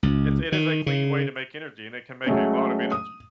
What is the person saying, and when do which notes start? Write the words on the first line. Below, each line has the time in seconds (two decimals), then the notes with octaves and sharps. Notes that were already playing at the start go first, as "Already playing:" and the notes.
It's it is a clean way to make energy, and it can make a lot of energy.
0.03 C#2
0.52 D#3
0.86 C#3
2.26 F#3 G#3 A3 C#4
2.92 D#6